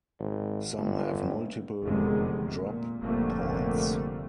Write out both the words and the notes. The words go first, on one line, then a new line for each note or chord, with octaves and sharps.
Some have multiple drop points.
G#1
G1
F1 E2 D3 D#3 G#3
A#2
F1 A#2 D3 G3 A3 A#3